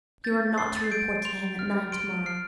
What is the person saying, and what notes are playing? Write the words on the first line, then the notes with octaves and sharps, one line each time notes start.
"You are not to report to him at nine tomorrow."
G6 A6
C6 C7
A6
C7
G6 D7
C6 F7
F6
C6 D7
F6 C7